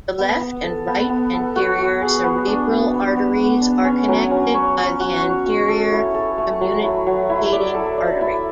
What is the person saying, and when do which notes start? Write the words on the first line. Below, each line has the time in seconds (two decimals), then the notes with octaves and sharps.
The left and right anterior cerebral arteries are connected by the anterior communicating artery.
0.19 B3
0.41 B3
0.64 A4
0.87 B3
1.09 B3
1.33 A4
1.56 F#4
1.79 F#4
2.02 G#4
2.24 B3
2.47 D4
2.71 B3
2.94 B3
3.16 B3
3.40 B3
3.62 D4
3.84 C#4
4.08 F#3
4.31 C#4
4.54 C#5
4.77 C#4
5.00 F#4
5.22 C#5
5.46 F#4
5.68 A4
5.92 E4
6.15 A4
6.38 A3
6.61 F#3
6.84 E4
7.07 F#3
7.30 E4
7.53 D5
7.75 A4
7.98 D5
8.21 E4